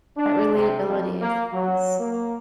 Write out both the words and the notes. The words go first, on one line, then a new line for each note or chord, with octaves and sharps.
That relatability, I think, is
D4
C3
F2
A#3
F#3
A#3